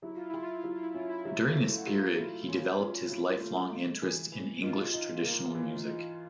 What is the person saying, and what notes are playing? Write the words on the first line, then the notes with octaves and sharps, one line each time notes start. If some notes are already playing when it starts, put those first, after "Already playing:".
During this period he developed his lifelong interest in English traditional music.
F#3 E4
F4
F#3 E4
F4
E4
F#3
F4
E4
C#4 F4
E4
F#3
A3
F#4
F#3 F4
E4
C#4
C#4
E4
A3
D#4
E3
E3
D#4 F4
D#4
A#3
E3
D#4